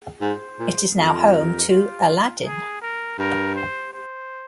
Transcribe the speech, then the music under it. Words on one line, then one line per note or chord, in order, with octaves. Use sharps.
It is now home to "Aladdin".
G#2 C5
A#2
F2 A#4
A#4
F4
G#4
A#4
G2 A#4
C5
C5